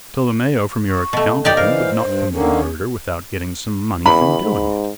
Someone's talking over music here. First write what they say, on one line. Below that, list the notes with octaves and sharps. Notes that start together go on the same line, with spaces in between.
Tolomeo, from your account of him, would not commit a murder without getting some money from doing it.
C#6
B2 A3
D#4 G4 D5 G5
E3 A#4 C5 F5
G2
D3 D#3 A#3 C#4
E2 B5
G#2